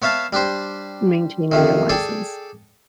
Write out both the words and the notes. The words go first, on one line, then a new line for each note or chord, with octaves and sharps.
maintaining your license.
B3 C#5 E5 F5 A5
G3 D4 G4 C5
F2 C3 D#3
G#4 A4 D5 G5 G#5